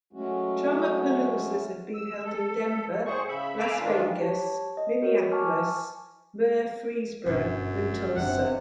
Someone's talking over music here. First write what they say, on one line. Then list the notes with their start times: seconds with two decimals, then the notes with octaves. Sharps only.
TromaPaloozas have been held in Denver, Las Vegas, Minneapolis, Murfreesboro, and Tulsa.
0.13 F#3 G#3 A3 C#4 F#4
1.94 E6
2.25 A4
3.06 A2 G#4 C5 C#6
3.28 C#3 E5 B5
3.59 F5 G#5 A#5 B5 D6 E6
3.79 G#2 D#3 E3 D4 F4
4.20 G4 C#5 A5
4.77 D#5
5.02 F#4 A#4 C#5
5.32 G#5 A5 C#6 D6 F6
7.26 G1 F#2 B2 D4
8.16 F#1 C3 D4 F#5